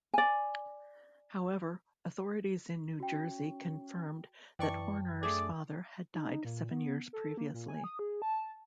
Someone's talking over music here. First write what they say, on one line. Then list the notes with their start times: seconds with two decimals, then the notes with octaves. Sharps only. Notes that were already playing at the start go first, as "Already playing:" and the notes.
However, authorities in New Jersey confirmed that Horner's father had died seven years previously.
0.14 D5 G#5
3.00 C#4 F#4 G5
4.59 F#2 E3 D5 G5 A5 C#6
5.23 A3 D4 G#4 D5
6.14 D#4
6.45 A#2
6.71 B3
7.13 A4
7.37 A#3
7.54 A#2
7.68 G#5
7.84 D#6
7.99 G#4
8.22 A5